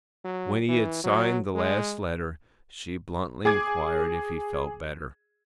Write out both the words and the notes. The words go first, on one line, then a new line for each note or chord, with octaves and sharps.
When he had signed the last letter she bluntly enquired if he felt better.
F#3
E3
F#3
G#3
G#4 D6 G#6